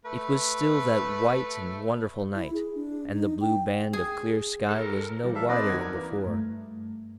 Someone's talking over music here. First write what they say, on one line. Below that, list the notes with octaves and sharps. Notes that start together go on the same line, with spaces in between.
It was still that white and wonderful night, and the blue band of clear sky was no wider than before.
A3 B4
E4
G#4
D4
D#4
G5
G#4
A4 A#4
E3 G3
A4 E5 F5
C4 A#4 B4 D5 D#5
D#2 F#4 G#6
A#4
E3 A#3
G2 A3